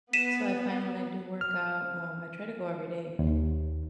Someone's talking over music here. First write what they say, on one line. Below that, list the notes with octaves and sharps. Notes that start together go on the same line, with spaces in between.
so, I find when I do work out, um I try to go every day.
B3 B6 D#7 E7
F6
D#2